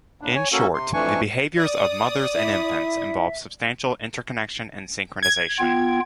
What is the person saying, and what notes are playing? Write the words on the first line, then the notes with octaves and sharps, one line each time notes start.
In short, the behaviors of mothers and infants involve substantial interconnection and synchronization.
D#2 A2 D4
C#5 G#5
A#3 C#4 F#4 A4
C3 C6
F2 E3 A3 D4 G#5 C#6
D5 D#6
E4 E5
G#6
B3 F4 G5